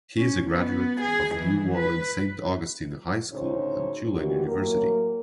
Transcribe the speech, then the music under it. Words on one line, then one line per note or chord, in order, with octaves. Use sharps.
He is a graduate of New Orleans' Saint Augustine High School and Tulane University.
C#4
B3
G#4
E3
B4
D2 A2 C#3 D#4 C5 C#5
A#2 D#3 E3 F#4 G4
A2 F#3 A#3 A#4